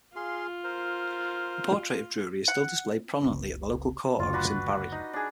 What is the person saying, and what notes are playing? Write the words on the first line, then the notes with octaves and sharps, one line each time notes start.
A portrait of Drury is still displayed prominently at the local courthouse in Barrie.
F4 G#4 F5 C6
A#4 C5
F#5
F#1 C#2
F#1 D2 F4
D4 F#4 B4
D#4
D4 G#4